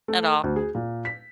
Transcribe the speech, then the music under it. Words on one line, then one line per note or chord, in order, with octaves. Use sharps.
at all.
A3
D2
G#4
A#2
B6